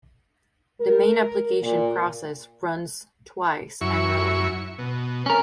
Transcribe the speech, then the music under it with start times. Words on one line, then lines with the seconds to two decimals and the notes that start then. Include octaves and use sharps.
The main application process runs twice annually.
0.81 A#4
1.62 A#2
3.81 F#2 E4 C#6
4.79 B2
5.26 C#4 A#4